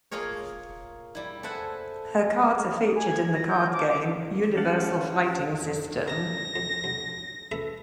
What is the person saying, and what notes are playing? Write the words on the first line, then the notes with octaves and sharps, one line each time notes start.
Her cards are featured in the card game "Universal Fighting System".
A#3 F4 G#4 A#4 C#5
G3 E4
A4 C5 E5 F#5 G#5
G#5
G#6
A#6
G6
D6
D6
C#4 G4 F5 F#5 A5
A#4 A5 A#6
F2
B1
A4 B4 E5